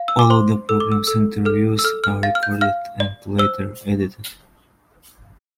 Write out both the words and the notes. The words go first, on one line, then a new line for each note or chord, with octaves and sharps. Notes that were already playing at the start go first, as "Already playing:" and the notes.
All of the program's interviews are recorded and later edited.
Already playing: F5
E6
D6
C5 C6
A4 E6
D6
E6
A4 E6
A4 F6
E6
A4 F6
F6
F5 A6
F6
G6
F5 F6
D5
C5 E6